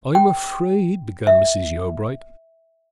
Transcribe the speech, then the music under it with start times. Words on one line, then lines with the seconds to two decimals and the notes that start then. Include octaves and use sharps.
"I am afraid--" began Mrs. Yeobright.
0.15 G5
1.27 E5